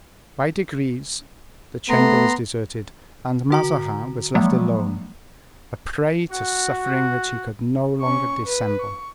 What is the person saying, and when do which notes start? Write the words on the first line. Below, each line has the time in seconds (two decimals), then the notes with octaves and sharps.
By degrees the chamber was deserted, and Mazarin was left alone, a prey to suffering which he could no longer dissemble.
1.89 A3 B3 A#5 C6
3.50 D3 F#4 A#5
4.35 F3 F#3 G#3 A#3
6.30 F#4
8.01 C#4 C#6
8.45 B4
8.79 C#6